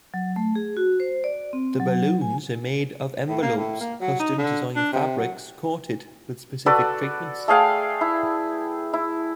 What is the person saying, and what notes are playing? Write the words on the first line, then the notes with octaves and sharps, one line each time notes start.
The balloons are made of envelopes custom designed fabrics coated with specific treatments.
F#3
A3
G#4
F#4
C5
D5
C4
F#3
G#5
A2
A#3
A2
A#3
F#3
D#4
D3
D4
C3
F#3
F#4 A4 B4 D5
A3 G#4 F5 G5
E4
E4